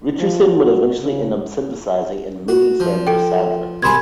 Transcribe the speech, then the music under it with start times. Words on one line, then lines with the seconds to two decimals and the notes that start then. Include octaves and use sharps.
Richardson would eventually end up sympathising and making friends with Sadler.
0.18 F3
0.53 F#4
1.01 C#3
2.48 F#4
2.80 F3
3.07 A4 G5
3.82 C2 G#4 G#5 B5 C6 G#6